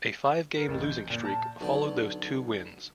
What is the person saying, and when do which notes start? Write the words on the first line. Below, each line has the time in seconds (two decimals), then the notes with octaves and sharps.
A five-game losing streak followed those two wins.
0.56 A#4
0.68 A1
0.84 G6
1.10 A#2
1.25 A5
1.61 B1 D3 G5